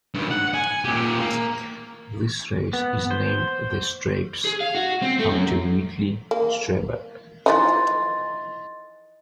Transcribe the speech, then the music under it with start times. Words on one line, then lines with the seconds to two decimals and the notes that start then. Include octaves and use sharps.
This race is named the Streibs after Whitley Strieber.
0.14 G2 D#3
0.31 F#5
0.54 G#5
0.85 A#2 G4
1.20 A#3
2.73 B3
3.11 C5
4.45 G#4
4.61 F5
4.75 F#4
5.02 C4
5.19 A3
5.30 F#2
6.31 A#3
7.46 E3 F3 D#4 D#5 C6 A6